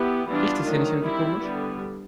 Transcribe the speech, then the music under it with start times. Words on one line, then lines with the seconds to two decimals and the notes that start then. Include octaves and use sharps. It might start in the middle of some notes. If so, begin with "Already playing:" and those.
Riecht es hier nicht irgendwie komisch?
Already playing: B3 E4 G4
0.28 E3 G3 B3 D4 F4
0.66 D#3 F#3 A3
1.03 G3 C4 E4
1.41 D3 G3 B3